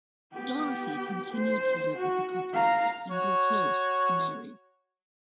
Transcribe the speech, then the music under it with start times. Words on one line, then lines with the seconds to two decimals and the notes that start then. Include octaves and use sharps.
Dorothy continued to live with the couple and grew close to Mary.
0.34 B3 G4
1.34 C5
1.96 F#4
2.53 F5 A#5
3.11 F#4 C#5